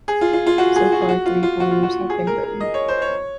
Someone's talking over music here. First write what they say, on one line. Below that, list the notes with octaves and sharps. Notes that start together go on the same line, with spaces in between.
So far three volumes have been written.
G#4
F4
F4
F4
F#4
G#4
F#4
G#4
F#4
F4
F4
F#4
F4
F#4
G#4
A#4
A#4
D#5
C#5
C5
C#5